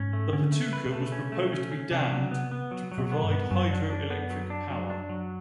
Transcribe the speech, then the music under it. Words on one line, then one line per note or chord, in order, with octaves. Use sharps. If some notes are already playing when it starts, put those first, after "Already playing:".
The Patuca was proposed to be dammed to provide hydroelectric power.
Already playing: G#2 C#4
A3
D3 C#4
A3
C#3
B4
B2
A3
C#4
A3
C#4
C#4
C3 D4
F#3
B3
B3
F#3
F#3
B2
B3
G2
B3
F#2 F#3
D4
D4
B3
F#3
D4
F#3
D4
F#3